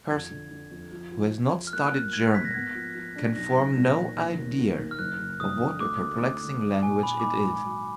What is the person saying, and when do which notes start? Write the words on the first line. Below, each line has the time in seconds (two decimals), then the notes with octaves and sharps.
A person who has not studied German can form no idea of what a perplexing language it is.
0.10 F2 G#6
0.31 D3
0.51 D3
0.71 F2
0.91 F3
1.12 F3
1.32 F3
1.52 F3
1.67 F6
1.73 A#3 F#6
1.94 A#3
2.13 G#2 G#6
2.35 A#3 B6
2.45 A#6
2.54 B3 G#6
2.75 F3
2.95 F3
3.16 D4
3.36 B1 A#6
3.57 B1
3.77 A#2
3.97 B1
4.18 D#2
4.38 D#2
4.59 D#2
4.79 D#2
4.91 F6
4.99 F#1 F#6
5.19 F#1
5.40 F#1 D#6
5.60 D3
5.80 D2 D6
6.01 D2
6.21 D2
6.42 D3
6.63 D#4
6.83 A#2 G#5
7.03 A#2 B5
7.20 D6
7.23 D#4 B5
7.45 G#1
7.64 F#3